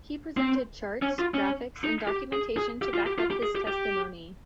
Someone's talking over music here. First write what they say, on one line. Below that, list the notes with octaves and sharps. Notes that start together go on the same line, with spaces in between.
He presented charts, graphics and documentation to back up his testimony.
C4
C#4
F4
C#4
D#4
G4
G#4
G#4
G4
F4
G4
F4
G4
G#4
G4
G4